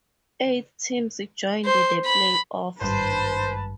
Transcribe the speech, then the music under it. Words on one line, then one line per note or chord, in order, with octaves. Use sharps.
Eight teams joined the playoffs.
C5
B5
G#1 G2 B4 C5 A5